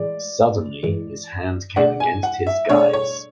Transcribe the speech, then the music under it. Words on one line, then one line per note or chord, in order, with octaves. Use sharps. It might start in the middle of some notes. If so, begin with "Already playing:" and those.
Suddenly his hand came against his guide’s.
Already playing: A2 E3 G#3 D5
A2 E3 G#3
B2 A3 D4 G#4 D5 F#5
G#5
F#5
E5
B2 A3 D4 G#4 C#5 D5
C#5